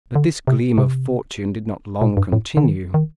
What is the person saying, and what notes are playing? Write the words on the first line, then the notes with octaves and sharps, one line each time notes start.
But this gleam of fortune did not long continue.
D3
C3
C3
A#2
G2
A2
D3
D#3
D#3